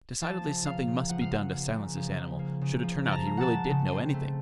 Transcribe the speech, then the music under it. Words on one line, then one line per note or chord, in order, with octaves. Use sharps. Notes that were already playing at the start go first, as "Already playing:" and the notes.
Decidedly something must be done to silence this animal, should it turn out he really did know anything!
F3 A5
C#3
A#3 F5
C#3
F3 F#5
F5
C#3 F#5
A#3
C#3
F3
C#3
A#3
C#3
F3
C#3 A5
A#5
A#3
F#5 A5
C#3
C#3
C4
A3